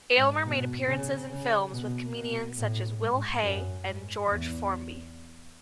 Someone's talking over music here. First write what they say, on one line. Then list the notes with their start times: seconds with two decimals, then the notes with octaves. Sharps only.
Aylmer made appearances in films with comedians such as Will Hay and George Formby.
0.17 G#2
0.45 B2
0.87 C#3
1.30 C#3
1.72 B2
2.14 B2
2.57 A2
2.99 G#2
3.42 F#2
3.84 G#2
4.26 E2